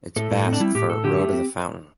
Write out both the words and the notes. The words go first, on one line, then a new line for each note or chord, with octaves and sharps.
It is Basque for "Road of the fountain".
A2 A4
A2
C4
D4
G3 E4
A2 G4
A2 A4
D3 G4
A3
C4